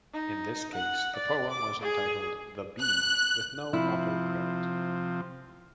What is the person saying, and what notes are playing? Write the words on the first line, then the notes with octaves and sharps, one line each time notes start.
In this case, the poem was entitled "The Bee" with no author credit.
D#4
F#5
D5
D6
G#4
F#6
C3 F3 E4